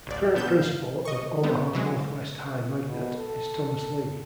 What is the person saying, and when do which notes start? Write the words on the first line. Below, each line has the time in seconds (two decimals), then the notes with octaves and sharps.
The current principal of Omaha Northwest High Magnet is Thomas Lee.
0.07 A1 D2 D5
0.35 A#2 B3 D4 G6 E7
0.61 F5
1.05 D#5 C#6
1.44 G3 B3 C4
1.73 E3 F#3 G#3
2.88 B2
3.17 A4